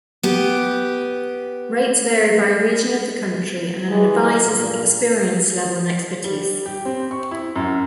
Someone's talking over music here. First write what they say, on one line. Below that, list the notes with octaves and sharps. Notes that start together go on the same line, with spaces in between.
Rates vary by region of the country and an advisor's experience level and expertise.
B3 G4
E3 G#3
E2 G2 A#2
G3
G4
C4
C#6
E4
F#2